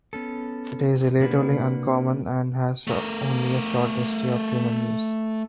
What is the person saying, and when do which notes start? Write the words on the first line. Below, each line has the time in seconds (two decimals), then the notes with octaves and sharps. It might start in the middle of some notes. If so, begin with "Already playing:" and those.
It is relatively uncommon and has only a short history of human use.
0.13 B3 C#4 A4
1.20 C3 A#3 D4 F#4 B4
2.87 A3 A#4